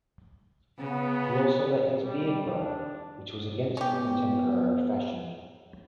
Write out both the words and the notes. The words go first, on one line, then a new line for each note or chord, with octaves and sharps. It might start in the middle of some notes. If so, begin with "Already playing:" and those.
He also let his beard grow, which was against the contemporary fashion.
C#3 B3
G3
D4
B3 C#4 G4